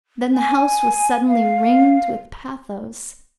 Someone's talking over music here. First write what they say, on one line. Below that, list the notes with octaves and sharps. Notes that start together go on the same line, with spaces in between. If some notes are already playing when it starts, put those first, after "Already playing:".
Then the house was suddenly ringed with pathos.
G#5
F5